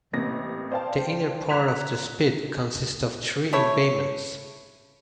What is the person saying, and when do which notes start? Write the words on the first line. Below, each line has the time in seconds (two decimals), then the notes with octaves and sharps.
The inner part of the Spit consists of three embayments.
0.13 A1 C3 A#3 A#6
0.72 C5 D5 F5 G5 A5
1.49 A#5 F#6 G#6 B6 E7 F7
3.53 A3 E4 C#5